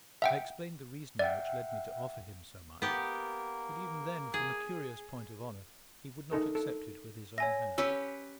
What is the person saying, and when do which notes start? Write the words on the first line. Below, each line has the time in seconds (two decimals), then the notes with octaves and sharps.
I explained the reasoning which led me to offer him so much; but even then, from a curious point of honour, he would not accept it with his own hand.
0.22 E5 F#5 G5
1.19 D5 E5 F#5 G5
2.82 A#3 B3 G4
4.34 G#4
6.31 D#4 A4 A#4
6.55 A4
7.38 C#5 E5 G#5 A#6
7.78 C#4 G4 B4 E6